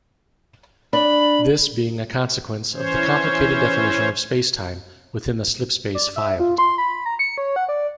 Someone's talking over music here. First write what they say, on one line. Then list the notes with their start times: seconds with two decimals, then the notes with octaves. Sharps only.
This being a consequence of the complicated definition of space-time within the slipspace filed.
0.93 D4 B5
2.74 E3 C#4 C5 C#5
5.95 D5
6.16 E5
6.40 F4
6.58 C6
6.78 B5
7.06 A#5
7.19 C#7
7.38 C#5
7.56 F#5
7.69 D5